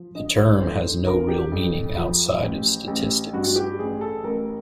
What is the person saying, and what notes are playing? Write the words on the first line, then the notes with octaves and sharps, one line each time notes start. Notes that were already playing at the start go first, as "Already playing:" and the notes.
The term has no real meaning outside of statistics.
Already playing: F3
D3 D#5
C#5
F2 C5
D3 A#4
G4
F2
F3
A1
A1
G2 F#4
G4
A1 G#4
A4
A1 A#4